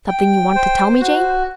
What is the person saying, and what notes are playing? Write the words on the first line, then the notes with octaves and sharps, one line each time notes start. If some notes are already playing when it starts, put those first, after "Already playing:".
Something you wanted to tell me, Jane?'
G5
C5
F#4